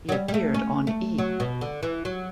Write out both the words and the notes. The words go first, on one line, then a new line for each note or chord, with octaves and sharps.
He appeared on E!
F#3
G3
G3
A3
C#4
A3
F#3
B2
D3
E3
F#3